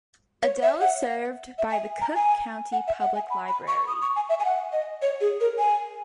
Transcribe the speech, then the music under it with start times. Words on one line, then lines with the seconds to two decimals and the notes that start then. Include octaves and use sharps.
Adel is served by the Cook County Public Library.
0.43 C#5
0.63 E5
0.81 F#5
1.58 E5
1.71 G#5
2.01 A#5
2.15 G#5
2.72 F#5
2.87 E5
3.00 F#5
3.16 G#5
3.30 B5
3.48 B5
3.68 C#6
3.88 D#6
4.02 C#6
4.16 G#5
4.29 E5
4.39 G#5
4.45 F#5
4.73 D#5
5.02 C#5
5.21 G#4
5.40 A#4
5.58 G#5